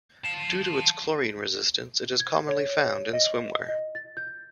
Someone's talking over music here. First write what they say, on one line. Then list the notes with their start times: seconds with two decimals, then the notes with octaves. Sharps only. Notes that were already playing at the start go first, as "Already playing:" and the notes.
Due to its chlorine resistance it is commonly found in swimwear.
0.24 F5 A5
2.20 G#6
2.49 C#5
3.13 D#5
3.69 D#5
3.95 A6
4.17 G6